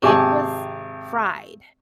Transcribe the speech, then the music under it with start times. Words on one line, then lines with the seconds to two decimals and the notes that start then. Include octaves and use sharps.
it was fried.
0.02 G#1 C3 G4 G#4 G#5 A5